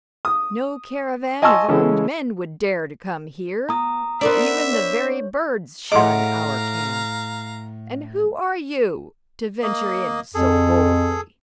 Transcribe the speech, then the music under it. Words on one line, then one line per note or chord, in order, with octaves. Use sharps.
'No caravan of armed men would dare to come here, even the very birds shun our camp, and who are you to venture in so boldly?'
D#6
D#5 G#5 A5 C6 C#6 E6
C#3 E3 G#3 C#4 E4 A4
B3 A#5 D#6
B3 C4 D4 A#4 C5 D5 E5
C#5
A2 G#4 D#5 F5 F#5 A#5 C6 D6
A#3 D#5
F2 G#4 A4